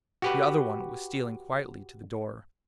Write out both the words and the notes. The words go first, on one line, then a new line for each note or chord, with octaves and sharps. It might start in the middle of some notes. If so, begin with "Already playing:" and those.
The other one was stealing quietly to the door.
F#4 G4 B4